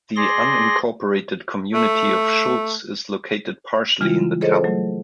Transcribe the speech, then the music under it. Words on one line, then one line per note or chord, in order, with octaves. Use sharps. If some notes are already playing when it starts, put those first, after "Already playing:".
The unincorporated community of Schultz is located partially in the town.
G#4 D5 C6 A#6
A3
C#3 E3 G3 G#3 E4 F4
G#4 A4 C5 C#5 D#5
F#3 A3